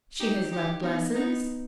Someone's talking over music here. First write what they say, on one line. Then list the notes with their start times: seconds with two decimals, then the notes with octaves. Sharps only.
She has left lessons.
0.20 D#4 G4
0.51 D#4 G4
0.83 B3 D#4
1.15 B3 D#4